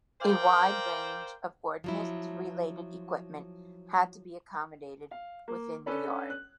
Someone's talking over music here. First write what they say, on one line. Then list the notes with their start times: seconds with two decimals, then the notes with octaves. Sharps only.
A wide range of ordnance-related equipment had to be accommodated within the Yard.
0.21 A#4 C5 D5 F5 G5
1.84 F3 F#3 E4
5.11 F5
5.48 A#3
5.86 C#4 D4 A4 B4 C#5
6.30 F#6